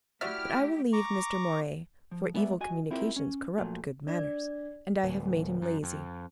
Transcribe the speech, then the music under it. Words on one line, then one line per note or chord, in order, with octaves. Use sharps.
But I will leave Mr. Moray, for 'evil communications corrupt good manners,' and I have made him lazy.
A3 E4 F#4 G4 D5 E5 F6
A#5 C#6 D6
F3
G#3 B3 B4 D5 E5
F#4 D#5 G#5
C4 E4 F4 G4 A#4
C#4
A#2 F3 F#3 A3
D4 D5 G#6
D1
F#2
F2